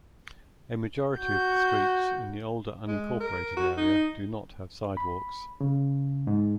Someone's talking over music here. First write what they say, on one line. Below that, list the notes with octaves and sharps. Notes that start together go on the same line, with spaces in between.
A majority of the streets in the older unincorporated area do not have sidewalks.
F#4 G6
G#3
A#4
F#4
D#4
B5
C#3
G#2